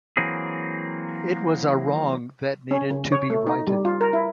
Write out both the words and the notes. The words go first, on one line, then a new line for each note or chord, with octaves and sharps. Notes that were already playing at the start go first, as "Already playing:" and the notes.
It was a wrong that needed to be righted.
E3 F#3 A#3 C4 G#4
C#4
C#3
C#5
A3
D#4
G3
F4
A#4
E4